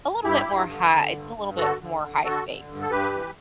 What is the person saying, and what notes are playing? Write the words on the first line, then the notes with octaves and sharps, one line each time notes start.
a little bit more high it's a little bit more high stakes
G2 E4 G4
G2
D3
D3
G2
G2
D3 F#4 A4
D3
D3
D3 F#4 A4
D3
G2
A4
G2 G4 B4
E3